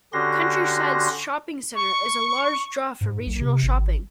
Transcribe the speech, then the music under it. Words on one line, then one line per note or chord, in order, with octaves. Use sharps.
Countryside Shopping Center is a large draw for regional shopping.
D3 C#4 F#4 G4 C6 A#6
C#6
G#2
B1
C3
G#1